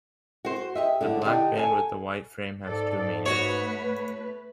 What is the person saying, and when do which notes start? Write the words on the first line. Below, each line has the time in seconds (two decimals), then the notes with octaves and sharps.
The black band with the white frame has two meanings.
0.45 F#4 C5
0.75 G4 D#5 E5
1.01 D2 A2 D3
1.24 D3 D#4 G4
1.55 A4 E5 G#5
2.66 G#2 A4 D5
3.26 A3 F#4 B4 C#5